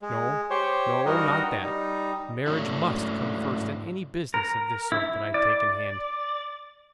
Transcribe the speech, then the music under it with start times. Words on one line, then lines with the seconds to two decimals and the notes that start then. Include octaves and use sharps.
No, no, not that; marriage must come first in any business of this sort that I take in hand.
0.02 G#3
0.50 G4 C5 C#5
1.06 G2 G3 D#4 F#4 A#4 D#5
1.62 G3 D#4
2.47 G#2 F#3 A3 C#4 D4 E4
4.34 A#4
4.92 E4
5.34 D5